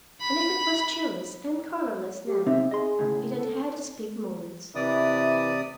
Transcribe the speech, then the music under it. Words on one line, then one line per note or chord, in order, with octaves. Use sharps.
And if it was cheerless and colorless now, it had had its big moments.
B5
G4
C3 C4 D#4 E5
G#4 D#5 C6
A2 C#3
A4
C3 E3 D5 D#6